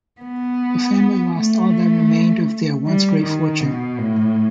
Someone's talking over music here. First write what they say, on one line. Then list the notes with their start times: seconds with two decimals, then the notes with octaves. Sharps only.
The family lost all that remained of their once great fortune.
0.21 B3
1.35 A3
2.86 G3
3.23 D#3
3.61 B2
3.98 A2